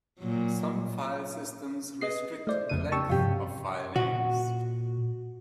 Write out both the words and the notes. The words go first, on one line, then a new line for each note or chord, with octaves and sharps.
Some filesystems restrict the length of filenames.
A#2 F#3
G#4 B4 D#5 C7
A3 E4 C5 D5
F2 C#3 D#7
G4 A5 C#6 E6
G2 C3 F3 C#4 G4 F5
A#2 F#4